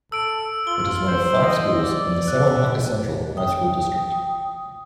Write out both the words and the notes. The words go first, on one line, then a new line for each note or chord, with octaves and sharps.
It is one of five schools in the Sewanhaka Central High School District.
A4 E6 D7
F4 G7
C5
D#5
D5
F#6
G5 D#6